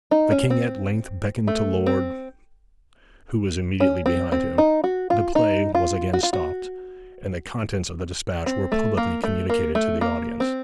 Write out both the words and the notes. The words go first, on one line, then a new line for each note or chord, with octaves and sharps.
The King at length beckoned to Lord ---, who was immediately behind him, the play was again stopped, and the contents of the despatch were publicly communicated to the audience.
D#4
C#4
C4
A3
C4
C#4
C4
C4
D#4
F#4
F4
D#4
F4
F#4
F4
F#4
C4
A3
A#3
A3
A#3
A3
A#3
C4